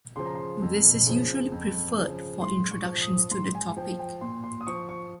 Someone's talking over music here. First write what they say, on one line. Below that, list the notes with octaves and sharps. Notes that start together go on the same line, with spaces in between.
This is usually preferred for introductions to the topic.
C#3 F3 C6
A#5
C6
F2
C#3 F3
F2
C#3 F3
G#2 C6
C#6
F3
D#6
G#2 C6
G#5
F3 G5
G5
A#2 C6
C6
D#6
F3 C#6
C#6